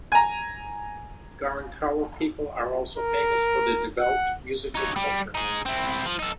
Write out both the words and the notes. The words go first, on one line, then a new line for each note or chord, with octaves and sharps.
Gorontalo people are also famous for their developed musical culture.
G#5 A#5
A#4
F#5
D#4 C#5
G3
D#4 G#4
C4 E4
F3
D#4 A4